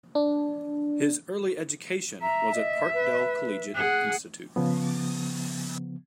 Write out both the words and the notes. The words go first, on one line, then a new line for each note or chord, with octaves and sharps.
His early education was at Parkdale Collegiate Institute.
D4
E5 A#5
D#5
B4
G#4 F#5 F#6
C#3 F3 B3